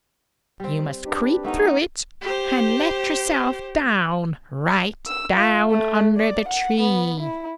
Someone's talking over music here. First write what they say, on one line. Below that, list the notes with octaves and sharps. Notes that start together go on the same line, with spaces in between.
You must creep through it and let yourself down, right down under the tree.
G3 C4
D4 G4 B4
A3 B3 C#4 D#4
G4 C5
E6
F4
A3
D5
F#5
B3
E4